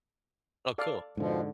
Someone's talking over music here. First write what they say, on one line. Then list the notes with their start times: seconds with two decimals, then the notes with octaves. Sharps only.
Oh, cool.
0.78 A4 D5 F5
1.17 F2 G#2 B2 D3 F3